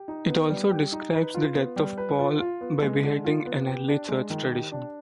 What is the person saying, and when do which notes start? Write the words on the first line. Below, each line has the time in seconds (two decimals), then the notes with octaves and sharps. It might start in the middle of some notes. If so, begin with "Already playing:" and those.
It also describes the death of Paul by beheading, an early church tradition.
Already playing: G4
0.08 D#4
0.29 B3
0.50 G3
0.71 G4
0.92 D#4
1.13 B4
1.34 F4
1.55 B3
1.76 G3
1.98 B4
2.19 F4
2.40 F4
2.61 B3
2.82 G#3
3.04 D3
3.24 F4
3.46 B3
3.67 G4
3.88 D4
4.09 G#3
4.30 D#3
4.51 G4
4.72 D4